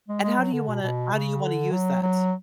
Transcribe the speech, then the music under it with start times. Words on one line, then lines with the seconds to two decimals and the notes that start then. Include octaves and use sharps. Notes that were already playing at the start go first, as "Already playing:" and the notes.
And how do you wanna how do you wanna use that?
0.08 G#3
0.23 G#3
0.38 F#3
0.53 D3
0.68 B2
0.83 B2
1.13 C#3
1.42 D3
1.72 F#3
2.02 F#3